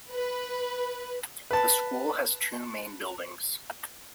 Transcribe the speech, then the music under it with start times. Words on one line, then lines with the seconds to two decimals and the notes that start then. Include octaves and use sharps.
The School has two main buildings.
0.14 B4
1.51 B4 A5